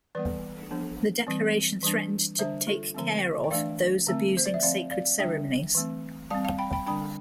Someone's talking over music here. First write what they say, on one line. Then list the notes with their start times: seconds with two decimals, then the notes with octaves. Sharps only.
The declaration threatened to "take care of" those abusing sacred ceremonies.
0.15 E3 G3 B3 B4 D5
0.71 F3 B3 D4
1.27 E3 G3 C4
1.83 E3 G3 D4
2.39 D3 G3 D4 C5 E5
2.67 F4 A4
2.95 D3 F3 A3 C4
3.44 G5
3.51 E3 A3 D4 D5 F5
4.07 D3 A3 C4
4.37 C5
4.46 D5
4.54 E5
4.63 F3 C4 D5 F5
4.91 D5 F5
5.18 D3 G3 D4 E5 G5
5.75 E3 A3 C4
6.30 G3 C4 F5 A5
6.45 F5 A5
6.58 G5 B5
6.73 G5 B5
6.87 D3 G3 D4 G5 B5